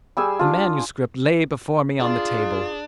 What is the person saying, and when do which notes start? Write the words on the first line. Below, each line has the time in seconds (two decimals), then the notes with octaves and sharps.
The manuscript lay before me on the table.
0.17 G3 G#4 G#5 E6
0.39 D4 F4
2.00 D4 F4 G#4